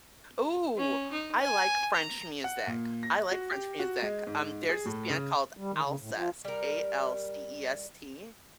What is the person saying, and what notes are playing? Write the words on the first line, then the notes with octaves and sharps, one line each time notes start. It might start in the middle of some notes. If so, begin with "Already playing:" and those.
Ooh, I like French music. I like French music, um, there's this band called Alcest, A-L-C-E-S-T,
C#4
D#4
G#5
A#5
F#5
A#2
A#6
F#4
G4
F#4
G#3
G#2
G#4
A2
C#3
G3
D#3
C#3
A2
F3
G3 A#4